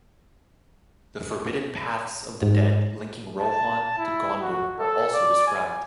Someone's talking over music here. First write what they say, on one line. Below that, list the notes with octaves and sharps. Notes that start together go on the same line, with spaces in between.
The forbidden Paths of the Dead linking Rohan to Gondor are also described.
G#2
A5
E4
F#4
A4
D5
G#5